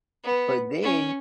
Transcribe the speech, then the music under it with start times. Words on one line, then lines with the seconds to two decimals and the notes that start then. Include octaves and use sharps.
but then,
0.24 B3
0.83 C#4